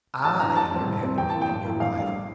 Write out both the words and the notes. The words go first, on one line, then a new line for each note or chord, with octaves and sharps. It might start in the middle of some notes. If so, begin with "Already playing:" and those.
I am your enemy and your rival.
A1 A5
G2 E3 A#5
A1 A5
A2 G3 C4
C2
C3 G3 C4 E4
E2 G5
E3 A#3 A5
G5
A2
E3 A#3 E4
A#1 F5
A2 G3 D4